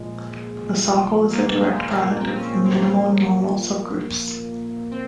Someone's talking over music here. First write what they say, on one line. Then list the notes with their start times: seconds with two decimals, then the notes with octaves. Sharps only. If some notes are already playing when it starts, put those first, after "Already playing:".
The socle is a direct product of minimal normal subgroups.
Already playing: A#2 F3 G#3
1.30 A#3
1.60 G#3
1.91 A#3
2.20 C4
2.35 C#4
2.43 C4
2.65 A#3
2.88 A#3
3.11 A#2 F3
4.91 C4